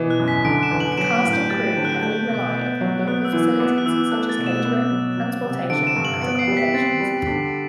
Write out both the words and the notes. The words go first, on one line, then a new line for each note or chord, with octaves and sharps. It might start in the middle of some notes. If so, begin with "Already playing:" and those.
Cast and crew heavily rely upon local facilities such as catering, transportation, and accommodations.
Already playing: B2 E3
F#6
F#2
B6
D3 D7
E7
E2
F#7
D7
F#3 E7
D7
A2
G6
G3 A6
D3
F#6
A3 G6
B2
B3
F#3
B3 F#6
E6
E3
E6
B3 D6
F#6
E3 E6
A3 F#6
A6
B2
E7
B3
F#3
F#3
C3
D3 D7
E7
G2
F#7
B3 D7
C7
G3
B6
C4 A6
G3
D3 B6